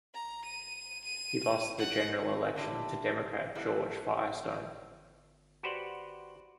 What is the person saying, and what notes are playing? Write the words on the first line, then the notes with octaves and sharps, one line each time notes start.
He lost the general election to Democrat George Firestone.
A#5
D#7
D#7
F#5
D3 E4 G4
F#3 G3 A3 B3 E4
F#4 G4 B4 C5 D5 F#5